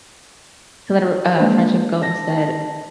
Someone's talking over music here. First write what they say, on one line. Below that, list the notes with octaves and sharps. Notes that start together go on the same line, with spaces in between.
To let a r uh, friendship go instead.
G#3 A#3 D4 B4 C5
A5 A#6